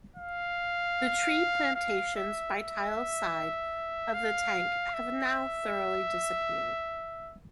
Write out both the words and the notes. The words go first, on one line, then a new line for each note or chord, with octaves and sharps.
The tree plantations by tile side of the tank have now thoroughly disappeared.
F5
F5
E5
E5
F5
E5